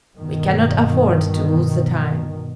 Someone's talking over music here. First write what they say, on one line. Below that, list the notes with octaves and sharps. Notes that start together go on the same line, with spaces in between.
"We cannot afford to lose the time."
G2 B2 D#3